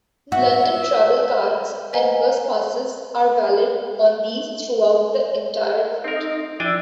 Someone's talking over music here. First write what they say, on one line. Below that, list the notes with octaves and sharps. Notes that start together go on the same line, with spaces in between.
London Travelcards and Bus Passes are valid on these throughout the entire route.
F#4 E5
B4 C5 D#5 F#5 G#5 A#5
C4 D#4 A#4 D#5
F3 D4 E4 D5 G5 G#5 E6